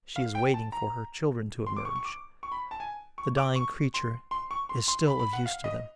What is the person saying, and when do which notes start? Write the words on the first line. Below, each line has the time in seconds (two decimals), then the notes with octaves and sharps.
She is waiting for her children to emerge; the dying creature is still of use to them.
0.16 F5
0.35 G5
0.54 A5
0.72 A#5
1.66 C6
1.76 D6
1.85 C#6
1.96 C#6
2.05 D6
2.43 C#6
2.52 B5
2.71 A5
2.80 G#5
3.18 C#6
3.37 D6
3.56 C#6
3.94 C6
4.31 C6
4.51 C#6
4.69 C6
4.88 C6
5.07 B5
5.20 B5
5.33 F#5
5.46 F5
5.64 D#5